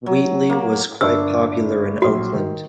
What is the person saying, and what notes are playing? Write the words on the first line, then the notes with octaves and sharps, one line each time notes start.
Wheatley was quite popular in Oakland.
F#3
A#3
G1 D4 A#4 E6
A#1 F#3 F#4 C6
D#3